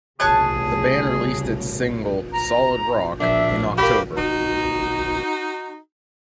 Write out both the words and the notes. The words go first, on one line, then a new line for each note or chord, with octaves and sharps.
The band released its single "Solid Rock" in October.
C2 A2 C#3 G#4 C#5 A5 F#6
A#5
A#1 D4 E5
A#3 F#4 G4 B5
D#4 F#4